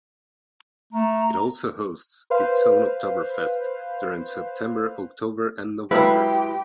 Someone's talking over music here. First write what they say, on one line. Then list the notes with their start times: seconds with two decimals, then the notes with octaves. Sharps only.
It also hosts its own Oktoberfest during September, October and November.
0.92 A3 A#5
2.30 B4 C5 F5
5.91 F#3 G#3 E4 G4 A4 B4 F5